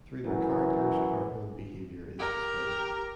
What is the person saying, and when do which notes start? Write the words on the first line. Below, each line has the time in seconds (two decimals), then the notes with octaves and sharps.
Through their characters, our own behaviour is displayed.
0.24 F#2 E3
2.19 G4 A#4